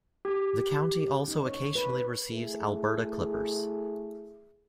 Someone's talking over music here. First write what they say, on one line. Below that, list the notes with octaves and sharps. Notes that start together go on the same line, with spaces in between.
The county also occasionally receives Alberta clippers.
G4
D#4
C#5
B4
A3 E4 G#4